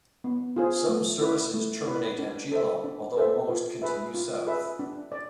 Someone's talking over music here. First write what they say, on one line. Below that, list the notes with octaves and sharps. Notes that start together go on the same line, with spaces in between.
Some services terminate at Geelong, although most continue south.
B3
F4 G#4 C5
A3
E4 B4
A3
E4 B4
D4
A4 C5 E5
D4
A4 C5 E5
F4
G#4 B4 E5
F4
G#4 B4 E5
D4
D5